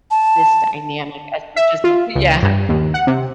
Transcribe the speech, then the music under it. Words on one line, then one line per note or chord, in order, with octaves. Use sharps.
this dynamic as much as I" Yeah.
A5
E5
F4
C#2
G2
D#2
F#5
C3